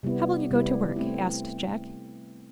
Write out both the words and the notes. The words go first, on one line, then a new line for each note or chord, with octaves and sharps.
"How will you go to work?" asked Jack.
C3 G3 B3 E4
C3 G3 B3 E4
A3 C4 E4